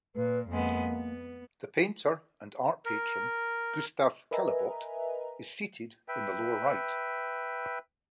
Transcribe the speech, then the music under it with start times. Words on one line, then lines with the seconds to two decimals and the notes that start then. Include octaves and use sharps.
The painter and art patron, Gustave Caillebotte, is seated in the lower right.
0.16 A#2 B4
0.49 F2 G#3 A#3 B3
0.90 B3
2.85 A#4
4.31 A#4 B4 D#5 E5 G#5 A#5
6.08 B4 E5 G5